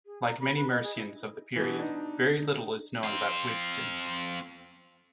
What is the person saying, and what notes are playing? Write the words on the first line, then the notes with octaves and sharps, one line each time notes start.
Like many Mercians of the period very little is known about Wigstan.
G#4
A#5
B5
B4
D#5
G#4
E4
B2 E3
D4 D#4
C4 F4